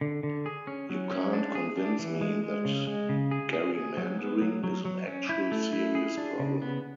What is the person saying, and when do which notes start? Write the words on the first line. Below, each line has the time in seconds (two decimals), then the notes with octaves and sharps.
You can’t convince me that gerrymandering is an actual serious problem.
0.01 D3
0.23 D3
0.46 G#4
0.67 C#4
0.90 F#3
1.11 C#4
1.33 D4
1.55 G#4
1.78 D4
1.99 E3
2.21 G#3
2.44 G#3
2.65 C#3
2.87 G#3
3.09 C#3
3.31 G#4
3.53 G#4
3.75 G#4
3.97 F#3
4.19 B3
4.42 F#3
4.64 F#3
4.85 F#3
5.07 C#4
5.29 E4
5.52 A3
5.73 E4
5.95 G#4
6.17 D4
6.39 C#3
6.62 B3